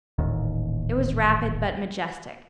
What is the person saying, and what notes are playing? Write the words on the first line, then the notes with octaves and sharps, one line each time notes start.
It was rapid but majestic.
D#1 A1 D#2